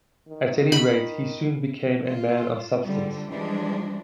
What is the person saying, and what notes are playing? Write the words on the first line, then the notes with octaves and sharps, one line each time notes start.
At any rate, he soon became a man of substance.
D#3
B5
A#3 F4
D3 F3 G3
E3 F3 G3 G#3 D4